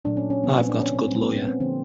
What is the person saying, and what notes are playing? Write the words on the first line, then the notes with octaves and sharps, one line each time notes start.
I've got a good lawyer.
A#2 F#3 A3 D4
C#4
C#4
B3
A#2 F3 A3 C4
D4
C#4
C4
A#2 G3 A#3 C4
B3
C#4
C4
D3 F3 A#3 C4